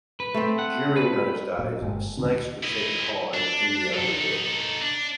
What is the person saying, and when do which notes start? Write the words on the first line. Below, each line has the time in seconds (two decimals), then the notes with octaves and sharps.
During those days, snakes were said to hide in the underworld.
0.20 B4
0.34 A3 C4
0.59 F#5
0.96 B4
1.59 A#2
1.82 G1 G#3
2.17 D2 D3 D#3 C4
2.63 E4 D#5
3.34 D4
3.93 D#4 A4
4.82 D4